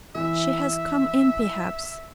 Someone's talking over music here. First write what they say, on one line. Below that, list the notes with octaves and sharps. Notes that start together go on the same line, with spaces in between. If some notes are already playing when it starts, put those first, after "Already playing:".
She has come in, perhaps.
E3 E5